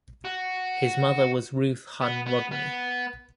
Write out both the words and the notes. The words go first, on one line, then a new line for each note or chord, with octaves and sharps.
His mother was Ruth Hunn Rodney.
F#4
B3
B3
B3